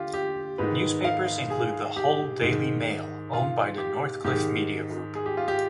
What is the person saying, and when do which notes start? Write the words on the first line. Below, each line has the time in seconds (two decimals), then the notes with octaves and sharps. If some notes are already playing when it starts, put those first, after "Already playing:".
Newspapers include the "Hull Daily Mail", owned by the Northcliffe Media group.
Already playing: D3 F4 G4
0.14 G4
0.58 G#2 D#3 B4
1.04 F5
1.50 G#4
1.96 G4
2.42 G#2 D#3
3.33 F4
3.78 G4
4.24 G#2 D#3 G4
5.15 G#4
5.26 G4
5.37 F4
5.48 G4